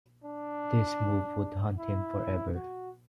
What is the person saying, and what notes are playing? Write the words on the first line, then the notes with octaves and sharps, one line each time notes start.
This move would haunt him forever.
D4
E4
F#4